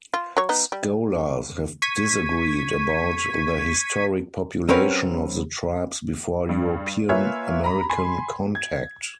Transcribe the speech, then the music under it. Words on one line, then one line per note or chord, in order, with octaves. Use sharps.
Scholars have disagreed about the historic population of the tribes before European-American contact.
F4
F#3 C#5
B3 D#4
G3
C#6 G#6 B6 D#7
F#3 C4 C#4 A#4 B4
G2
A#3 F4 B4 C#5 E5 G#5
A#5 B5
G#5 B5 C6
G#6